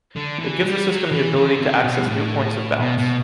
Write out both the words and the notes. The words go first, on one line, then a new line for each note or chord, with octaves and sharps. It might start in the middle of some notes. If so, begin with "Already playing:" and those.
It gives the system the ability to access new points of balance.
D3
E3
G3
F#3
E3
D3
C3
B2
G2
A2
B2
B2